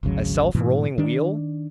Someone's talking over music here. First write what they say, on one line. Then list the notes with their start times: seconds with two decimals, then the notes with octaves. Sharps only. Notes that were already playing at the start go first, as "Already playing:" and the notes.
A self-rolling wheel?
0.03 G#1 D2 C#3 F#3
0.55 G#2 B2 E3 A3
0.98 D#3 D4